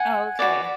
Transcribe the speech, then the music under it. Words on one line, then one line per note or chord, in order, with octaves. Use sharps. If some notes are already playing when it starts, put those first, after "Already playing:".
Oh, okay.
Already playing: F#5 G#5
F#4 B4 D5